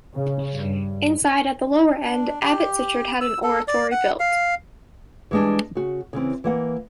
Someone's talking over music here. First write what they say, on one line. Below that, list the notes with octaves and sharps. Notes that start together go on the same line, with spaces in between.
Inside, at the lower end, Abbot Sichard had an oratory built.
C#3
G2
D4
G4
E6
A4
D5
F#5
F5
E3 G3 G#3 C#4 D4
C#3 F#4
C#3 E3 C4
E3 A#3 F#5